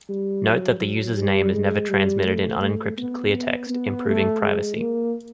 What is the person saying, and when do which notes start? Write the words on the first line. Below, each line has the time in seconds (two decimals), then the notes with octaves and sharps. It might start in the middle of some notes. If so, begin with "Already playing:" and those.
Note that the user's name is never transmitted in unencrypted clear text, improving privacy.
0.09 G3
0.45 F#3
0.81 F#3
1.17 G3
1.52 G#3
1.89 G3
2.25 A3
2.61 A3
2.98 B3
3.34 B3
3.70 B3
4.06 A3
4.41 G#3
4.77 A#3